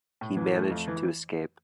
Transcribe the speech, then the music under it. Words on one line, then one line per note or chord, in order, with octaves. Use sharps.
He managed to escape.
A2
E3
A3
F2
E3